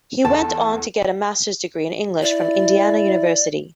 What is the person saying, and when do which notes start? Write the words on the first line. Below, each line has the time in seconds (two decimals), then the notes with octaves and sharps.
He went on to get a master's degree in English from Indiana University.
0.25 E2 A4 A5
2.22 E4 D5